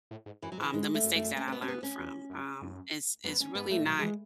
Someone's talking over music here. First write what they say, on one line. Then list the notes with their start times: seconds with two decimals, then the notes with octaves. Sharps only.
um, the mistakes that I learned from, um, is is really not
0.11 A2
0.26 G#2
0.42 F#2 E3
0.52 F#3
0.58 G#2
0.61 E3
0.74 G#2 G#3
0.94 A3
1.04 F#2
1.16 A3
1.36 C#4
1.48 C#4
1.52 B3
1.62 C#4
1.68 B3
1.83 C#4
1.99 E2
2.30 F#2
2.62 F#2
3.24 F#2 B3
3.40 C#4
3.55 G#2 B3
3.64 F#2
3.71 G#2 A3
3.80 A2
3.86 B2 F#3
3.99 E3 G#3